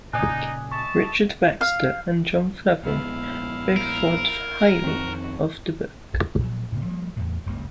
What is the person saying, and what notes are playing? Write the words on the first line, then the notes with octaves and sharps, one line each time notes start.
Richard Baxter and John Flavel both thought highly of the book.
A#2 C#3 D#4 D5 G#5 D#6 F#6
D#5 E5 A5 C#6
F5
A#1 G#3 B3 E4 F5
A#4
F2 D#3 C4 F#4
A#2 F3 F#3
A2 C#3 A#3
F3 G3 A3 A#3
E2 A2
F#1 C#2 G2 A#3